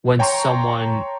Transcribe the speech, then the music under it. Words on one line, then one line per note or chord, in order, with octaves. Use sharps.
when someone
C#5 G5 A5 A#5 C6 C#6